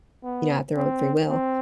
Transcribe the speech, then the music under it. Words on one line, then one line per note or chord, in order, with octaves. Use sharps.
you know, at their own free will,
B3
C4
C4